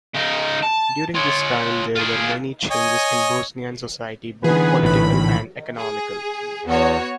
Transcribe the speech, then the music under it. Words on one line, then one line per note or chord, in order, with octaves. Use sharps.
During this time there were many changes in Bosnian society, both political and economical.
C#3 D#4
A5
F4 C#5
F4 G#4
C#5 D#5 G#5
D3 E3 B3 G#4 B4
A#1 A2 B5
G#4
E2 B3 F#4 C#5